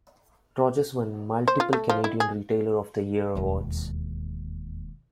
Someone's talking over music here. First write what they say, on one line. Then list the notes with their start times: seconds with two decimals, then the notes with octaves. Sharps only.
Rogers won multiple "Canadian Retailer of the Year" awards.
1.48 C5
1.60 F4
1.73 A3
1.89 F3
2.04 E4
2.20 G#4
3.35 E1 D#2